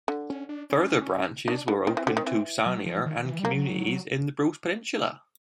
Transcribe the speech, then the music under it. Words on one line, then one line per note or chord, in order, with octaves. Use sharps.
Further branches were opened to Sarnia and communities in the Bruce Peninsula.
D3
C#4
D4
C#4
D#3 D4
D3
D#3 C4
E3
D3
D#3
E3
F#3
F3
D#3
E3
G3
F#3 A#3